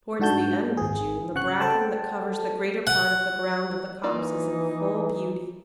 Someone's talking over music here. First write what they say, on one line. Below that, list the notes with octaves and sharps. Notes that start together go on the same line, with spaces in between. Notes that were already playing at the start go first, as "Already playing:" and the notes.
Towards the end of June the bracken that covers the greater part of the ground of the copse is in full beauty.
G#2 D4 F#4 A5 G6
G#1 G#4
C#3 F#5 C#6 F#6
A4 C5 F#5 G5 A5
F#5
E3 A#3 D#4 F4 D5